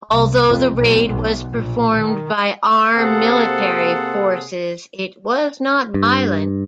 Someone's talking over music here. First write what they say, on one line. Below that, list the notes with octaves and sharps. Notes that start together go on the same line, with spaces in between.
Although the raid was performed by armed military forces it was not violent.
C2
F2
B1
B1
A#1
D#3
C3 A#3 C4 G#4 A4 F#5
G2